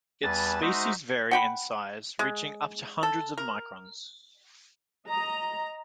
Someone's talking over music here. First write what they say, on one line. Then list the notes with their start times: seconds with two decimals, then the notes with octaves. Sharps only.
Its species vary in size reaching up to hundreds of microns.
0.23 E2 G3 B4 G#5 A5 A6
0.62 G#3 D#4 F#4 C5 D#5 E5
1.31 F#5 G5 B5
2.19 G#3
3.03 A4
3.38 A#4
5.08 D#5 A#5